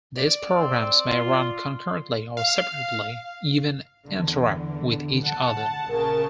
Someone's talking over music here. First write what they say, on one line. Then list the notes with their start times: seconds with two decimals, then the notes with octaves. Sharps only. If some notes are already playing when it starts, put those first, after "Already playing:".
These programs may run concurrently or separately, even interact with each other.
0.17 D5
0.55 C4
1.07 F4
2.37 F5
4.07 E2 D3
5.24 F#5 A5
5.90 A#1 C#3 A#4 A5